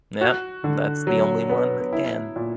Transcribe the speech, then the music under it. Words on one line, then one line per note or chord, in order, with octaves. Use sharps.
Yep, that's the only one that can.
F#4
D3
F#3
B3
E4
A#2